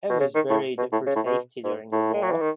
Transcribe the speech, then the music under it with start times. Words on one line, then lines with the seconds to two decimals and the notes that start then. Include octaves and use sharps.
It was buried for safety during the war.
0.09 B2
0.20 C#3
0.35 D#3
0.49 A2
0.78 B2
0.92 A2
1.06 C#3
1.15 A2
1.25 B2
1.64 G#2
1.92 A2
2.14 G#3
2.22 F#3
2.31 E3
2.40 D#3